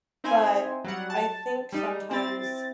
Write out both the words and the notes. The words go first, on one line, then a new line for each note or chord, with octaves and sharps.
but, I think sometimes
C4 D#4 E4 C5 G#5
F#3 G3 F#5
A5
G3 D#4
C4 E4 A6 A#6